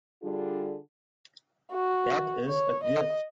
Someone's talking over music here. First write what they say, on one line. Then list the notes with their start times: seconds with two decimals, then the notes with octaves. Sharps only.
That is a gift.
0.22 D3 G3 D4 F4 G#4
1.72 F#4
2.48 C#5
2.83 D#5